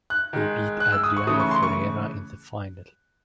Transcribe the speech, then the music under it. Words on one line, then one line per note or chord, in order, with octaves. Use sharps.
He beat Adriano Ferreira in the final.
F#6
D#3 G#3
F#6
E6
D#6
C#6
C#3 E3 A3 D#6
C#6
C6
C#6